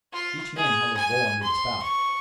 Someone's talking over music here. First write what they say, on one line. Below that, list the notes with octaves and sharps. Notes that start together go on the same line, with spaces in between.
Each man held his bowl under the spout.
F4
G#4
G#5
C6
C#6